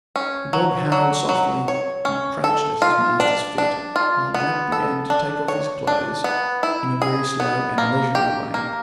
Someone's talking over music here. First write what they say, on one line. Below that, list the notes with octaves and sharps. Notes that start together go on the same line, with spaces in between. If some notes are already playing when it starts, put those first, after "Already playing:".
The dog howled softly and crouched at his master's feet, while Jack began to take off his clothes in a very slow and leisurely way.
C#4
F#3
F#3
F#3
C#5
C#4
A4
F4
D4
D4
F4
B3
A4
D4
C#5
D4
B3
E4
G#4
B3
A#3
G4
A#3